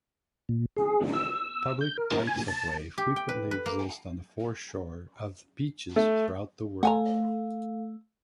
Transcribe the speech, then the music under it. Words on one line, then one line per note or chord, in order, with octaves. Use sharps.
Public rights of way frequently exist on the foreshore of beaches throughout the world.
A#2
G#4
E6
G6
A#4
G#5
A5
G4
G5
B4
B4
A#3
A3
A3 A4 F5 F#5 G#5 A#5